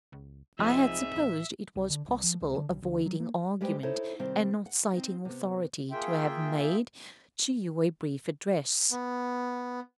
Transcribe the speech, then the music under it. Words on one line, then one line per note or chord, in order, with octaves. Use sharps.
I had supposed it was possible, avoiding argument and not citing authority, to have made to you a brief address.
C#2
C2 F3 C4 D#4 G#4 E5
A1
C2
D3
C2
F3
C#2
D3
B1
D2
F#3
A#3
G3 G#3 G4 B4 C5 G5
D#4 E4 A4 C5 C#5
C3 D#3 G3 C4 C5
F#5
C4 D#4
C3 B3
A#3 F4 G#4 E5 G5
B3